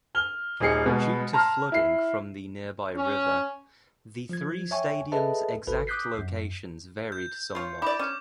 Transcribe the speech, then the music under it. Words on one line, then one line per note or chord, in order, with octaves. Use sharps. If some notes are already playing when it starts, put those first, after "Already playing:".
Due to flooding from the nearby river, the three stadiums' exact locations varied somewhat.
F6 G7
D#1 D#4 G#4 C7 C#7
B2 G#3 B3
A5 A#5 C6 F6
E4 C7
C#4
F3 G#6
C#5 E5 G5 G#5 C#6
G#4 A4 B4 D#5 E5 A5
G#1 A4 B4
D6 D#6 F#6 G6 B6 C7
F#2
G6
F4 C#5
E4 D5 D6
C#4